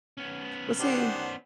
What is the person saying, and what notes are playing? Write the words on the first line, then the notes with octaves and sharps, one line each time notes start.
well, see,
B3 C#4
D#3 D4 G4 C5 F#5